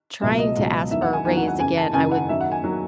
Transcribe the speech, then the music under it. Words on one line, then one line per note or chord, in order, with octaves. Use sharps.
trying to ask for a raise, again, I would
C#2 B2 F#3 E5
D#5
C#2 B2 F#3
E2 D#3 F#3 E5
F#5
G#5
E2 D#3 F#3 G#5
F#5
F#5
F#2 C#3 E3 G#5
A5
F#2 C#3 E3 G#5
F#5
F#2 D#3 F#3 E5
F#5
G#5
D#3 F#3